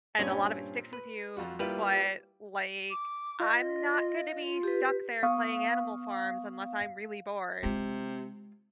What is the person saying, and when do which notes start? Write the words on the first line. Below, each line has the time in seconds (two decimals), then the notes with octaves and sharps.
and a lot of it sticks with you, but, like, I'm not gonna be stuck there playing Animal Farms unless I'm really bored
0.19 G2 A#2 C4 C#4 D5 G#5
0.93 B4
1.37 F2 F4 F#4
1.59 G3 A#3 E4 F4 G4 B4
2.90 D6
3.40 F4 D#5
4.63 G4 B4
5.23 B3 F5 C#6 D#6
7.63 C3 G#3 F4